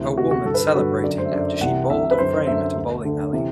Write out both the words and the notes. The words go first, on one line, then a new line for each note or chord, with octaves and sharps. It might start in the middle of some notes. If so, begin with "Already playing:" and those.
A woman celebrating after she bowled a frame at a bowling alley.
Already playing: D2 C3 E3
D2 C3 E3 F#4
F#4
G2 D3 A4
B4
A4
G2 D3 F#4
F#2 D3 D5
C5
E5
F#2 D3 D5
C2 C3 E3 F#5
C2 C3 E3 E5
B4
F#2 D3 C5
F#2 D3 E5
D2 D3
D2 D3
C3 E3